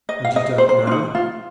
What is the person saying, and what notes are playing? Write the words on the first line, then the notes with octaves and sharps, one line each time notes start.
"And you don't now?"
D#5
F5
D#5
C5
C5
D4
D#4
F4